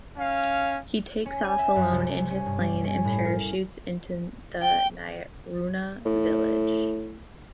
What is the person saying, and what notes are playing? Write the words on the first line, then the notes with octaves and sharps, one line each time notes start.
He takes off alone in his plane and parachutes into the Niaruna village.
C#4 F5
C#4
G#5
E5
F#2
C2
C#4
G2
G3
C#4
A2
A#4
G5
A2